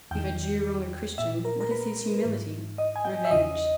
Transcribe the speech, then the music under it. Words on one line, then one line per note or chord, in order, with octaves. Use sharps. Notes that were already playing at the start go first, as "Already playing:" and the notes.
If a Jew wrong a Christian, what is his humility?--Revenge.
E2 D#3 G5
A#2 E5
A#4
A#4
B4
G#2 E3
D#5
G#5
G5
E5
E2 C#3 E3 D#5